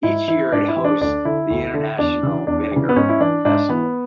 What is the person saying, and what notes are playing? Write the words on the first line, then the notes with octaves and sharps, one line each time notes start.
Each year it hosts the International Vinegar Festival.
G#2 E4
E3 E4
G#2 D4
E4
E3
D4
D2 D4
D3 E4
D2
D3
E2 D4
C#3 E3
E2 D4
C#3 E3
B3
G#2 C#4
E4
E3 D4
G#2 D4
E3 B3